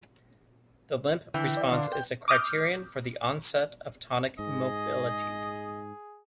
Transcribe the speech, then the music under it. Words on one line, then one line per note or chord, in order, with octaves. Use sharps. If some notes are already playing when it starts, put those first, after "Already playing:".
The "limp" response is a criterion for the onset of tonic immobility.
D3 E3 G5
D5 E5
D3 D5 F5 C6
G5
D6 D#6 F6 G6
G#2 G#4 D#5